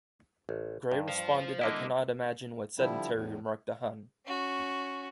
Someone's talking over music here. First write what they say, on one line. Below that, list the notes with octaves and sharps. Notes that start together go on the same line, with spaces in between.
Gray responded I cannot imagine what sedentary remark the hon.
A1
G2
C5 F5
D3 G3 A#3 E4 D#5
D3 F3 G3 E4
E2 A2
C#4 F#4